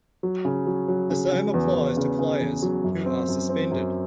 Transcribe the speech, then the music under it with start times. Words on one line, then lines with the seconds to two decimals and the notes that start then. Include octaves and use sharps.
The same applies to players who are suspended.
0.23 F#3
0.45 C#3
0.67 F#3
0.88 F#3
1.10 C#3
1.32 C#3
1.54 E2
1.75 E2
1.97 C#3
2.19 C#3
2.40 E2
2.62 F#3
2.84 F#2
3.06 C4
3.28 F#2
3.49 C4
3.71 F#2